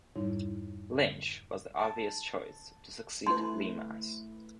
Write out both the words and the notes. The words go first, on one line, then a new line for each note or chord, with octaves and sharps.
Lynch was the obvious choice to succeed Lemass.
F2 G#2 G3 D#4 E4 C#5
A5
A3 E4 B4 C6